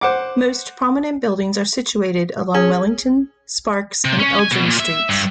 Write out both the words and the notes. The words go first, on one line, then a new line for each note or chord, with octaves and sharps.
Most prominent buildings are situated along Wellington, Sparks and Elgin streets.
C5 F#5 D6
C#4 G#4
C3
C#4
G#5
B2
A#2
E5
G2